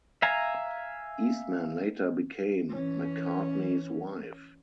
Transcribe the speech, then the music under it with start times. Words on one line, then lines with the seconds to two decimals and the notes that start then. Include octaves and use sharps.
Eastman later became McCartney's wife.
0.22 E5 F5 G#5 A#5
2.70 E3 C#4